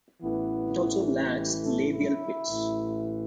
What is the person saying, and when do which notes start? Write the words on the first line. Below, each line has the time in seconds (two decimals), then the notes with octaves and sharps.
It also lacks labial pits.
0.22 A1 A2 E3 B3
1.35 G3
1.64 A3
1.92 E4
2.47 A1 A2 E3